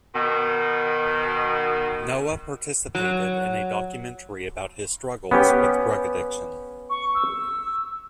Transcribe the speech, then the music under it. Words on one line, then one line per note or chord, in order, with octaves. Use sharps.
Noah participated in a documentary about his struggles with drug addiction.
B2 D#3
F#3
B3 C#4 G4
C#6
E6